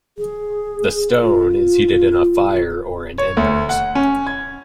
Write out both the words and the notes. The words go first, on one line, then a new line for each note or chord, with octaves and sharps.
The stone is heated in a fire or in embers.
G#4
F4
C#5
D2
F#5
C#4
G#6